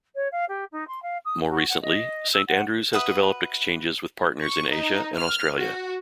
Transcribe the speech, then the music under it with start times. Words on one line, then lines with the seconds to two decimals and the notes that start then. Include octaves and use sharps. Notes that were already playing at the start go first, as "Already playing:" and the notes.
More recently, Saint Andrews has developed exchanges with partners in Asia and Australia.
0.15 C#5
0.32 F5
0.49 G4
0.72 D#4
0.88 C6
1.02 F5
1.25 D#6
1.48 F#4
1.69 F#5
1.82 D#5
2.33 E6
2.48 F#5
2.93 F#4 B4 E5 D#6
4.42 C#6
4.72 D#4
5.16 F6
5.58 F#4